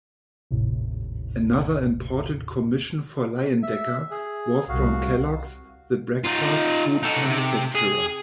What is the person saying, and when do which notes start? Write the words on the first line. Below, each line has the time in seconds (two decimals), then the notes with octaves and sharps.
Another important commission for Leyendecker was from Kellogg's, the breakfast food manufacturer.
0.51 G#1 D#2 A2 C3
3.63 E5
4.11 G#4
4.69 C2 F#4 F5
6.24 D#4 F4
7.03 D#4 A4
7.24 C3
7.75 G#4